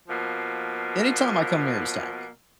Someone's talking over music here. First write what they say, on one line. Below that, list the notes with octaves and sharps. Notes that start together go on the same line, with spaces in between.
any time I come near his tank,
B2 F3 A#3